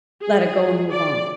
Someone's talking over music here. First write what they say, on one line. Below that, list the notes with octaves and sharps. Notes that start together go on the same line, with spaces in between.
let it go and move on?
G#4
D5